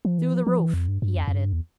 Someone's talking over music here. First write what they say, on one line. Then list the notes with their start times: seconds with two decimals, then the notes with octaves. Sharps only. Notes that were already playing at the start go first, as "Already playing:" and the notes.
"Through the roof," he added.
0.05 F3
0.18 E3
0.33 F3
0.47 F3
0.60 E3
0.74 F2
0.88 G2
1.02 G2
1.16 F2
1.28 F2
1.34 G2
1.53 E2